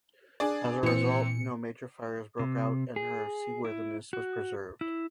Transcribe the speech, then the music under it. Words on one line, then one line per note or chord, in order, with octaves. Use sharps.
As a result, no major fires broke out and her seaworthiness was preserved.
D4 G#4 D5
A#2 E3 C4 C#7
C3
G#4
E4
F#4
E4